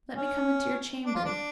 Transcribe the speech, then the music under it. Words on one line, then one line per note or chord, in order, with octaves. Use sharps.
Let me come into your chamber.
C#4
D4
F4
D4